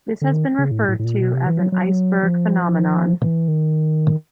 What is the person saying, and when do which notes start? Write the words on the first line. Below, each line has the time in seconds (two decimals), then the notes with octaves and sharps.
This has been referred to as an "iceberg phenomenon".
0.21 D3
0.33 D#3
0.59 C#3
0.71 A2
0.88 A2
0.99 A2
1.05 A#2
1.21 B2
1.34 C3
1.47 E3
1.60 F#3
1.72 F#3
2.23 F3
3.24 E3
3.48 D#3